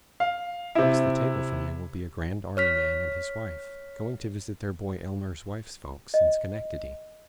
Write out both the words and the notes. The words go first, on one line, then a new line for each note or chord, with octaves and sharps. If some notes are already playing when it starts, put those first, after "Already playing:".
Across the table from you will be a Grand Army man and his wife, going to visit their boy Elmer's wife's folks in Schenectady.
F5
C3 E4
C#5 F6 B6
D#5